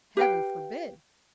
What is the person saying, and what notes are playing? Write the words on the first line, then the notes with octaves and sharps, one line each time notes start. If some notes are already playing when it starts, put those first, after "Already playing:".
Heaven forbid!
G4 B4 F5 G5